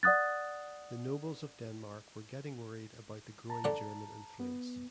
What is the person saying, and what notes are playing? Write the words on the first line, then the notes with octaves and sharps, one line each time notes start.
The nobles of Denmark were getting worried about the growing German influence.
D5 F#5 D#6 F#6 A6
A5 A#5
D3 D5 F#5
B3